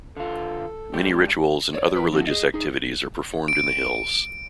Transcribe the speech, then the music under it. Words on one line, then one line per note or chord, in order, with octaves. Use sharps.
Many rituals and other religious activities are performed in the hills.
D3 F4 A4
G#3 D4 G4
C#5 D5
E3 F3 A#4 B4
F3 C4 E4 F#4 A4
G#4 D#5
D#4 G#4
D7